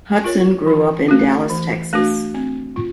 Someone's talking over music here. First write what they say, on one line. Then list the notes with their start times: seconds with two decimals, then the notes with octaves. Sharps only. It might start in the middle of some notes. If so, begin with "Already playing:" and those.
Hutson grew up in Dallas, Texas.
0.24 F4 A#4 C#5
0.66 E3
1.08 A3 D4 F#4
1.50 E3
1.93 A3 D4 F#4
2.34 C4
2.76 F4